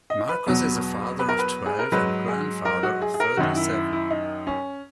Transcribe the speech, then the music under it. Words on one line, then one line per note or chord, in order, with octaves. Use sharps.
Markos is a father of twelve and grandfather of thirty-seven.
D#5
B4
E2 B2 F#3
B4
A#4
B4
G#4
A#4
G#2 F#3 B4
G#4
A#4
F#4
G#4
G#4
A#4
F#2 D#3 F#3 F#4
E4
E4
E4
D#4
C#4